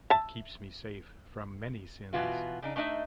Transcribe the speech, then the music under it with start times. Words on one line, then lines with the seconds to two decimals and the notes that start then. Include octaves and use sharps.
It keeps me safe from many sins.
0.10 E5 A5
2.13 B2 E3 G#3 B3 F4 F#4
2.62 C#3 D4 D#4
2.76 A3 D4 D#4 D#5 E5